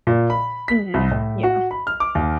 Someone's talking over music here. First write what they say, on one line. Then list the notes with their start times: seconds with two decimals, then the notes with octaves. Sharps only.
Mhm, yeah.
0.07 A#2
0.30 B5
0.68 B6
0.94 C2
1.11 A2
1.43 F#4
1.71 B5
1.87 F6
2.00 D6
2.15 D#2